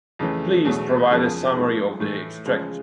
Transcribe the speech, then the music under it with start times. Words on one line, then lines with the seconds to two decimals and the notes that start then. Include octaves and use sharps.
Please provide a summary of the extract.
0.19 F2 C#3 E3 A3
0.65 E2 B2 F#3 A3
1.10 F2 C#3 F3 G#3
1.55 G#2 F3 A3
2.00 A2 E3 A3
2.46 E2 C#3 F3 G#3